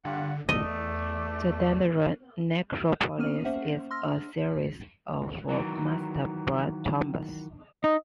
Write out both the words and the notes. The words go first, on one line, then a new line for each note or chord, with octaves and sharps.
The Dendera necropolis is a series of mastaba tombs.
G2 D3 F4 F#5
E2 A3 D5 D#5
A#3 B3 C#4 F6 D#7
A#3 C#4 C5 E5 F#5
C6 E6 F6 A#6
D4
D#3 E3 F#3
D#4 D#5